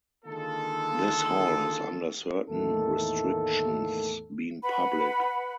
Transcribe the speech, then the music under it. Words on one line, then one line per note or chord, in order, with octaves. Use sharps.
This hall has under certain restrictions been public.
D3 D#3 G#3 A#3 F4 A4
E2 A2 D#3 A3 A#3 A4
B4 F#5 B5